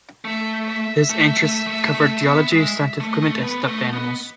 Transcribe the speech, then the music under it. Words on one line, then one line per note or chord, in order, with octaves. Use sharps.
His interests covered geology, scientific equipment and stuffed animals.
A3 E5
E5
A3
A3
A3
A3
B3
G#3
E5
A3
D#5
A3
B4
B3
A3 D#5
B3